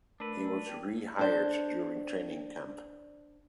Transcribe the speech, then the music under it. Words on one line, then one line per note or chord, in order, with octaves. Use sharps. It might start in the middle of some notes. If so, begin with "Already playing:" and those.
He was re-hired during training camp.
A3 D4 A#4 B4 E6
G5
D4 C5